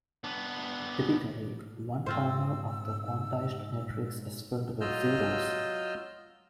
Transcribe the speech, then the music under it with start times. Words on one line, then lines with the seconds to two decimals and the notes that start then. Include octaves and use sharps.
Typically, one corner of the quantized matrix is filled with zeros.
0.24 B3 D4
2.06 G#2 C4 F4 C5 E6
4.81 F#3 F4 D#5 E6 F6 G6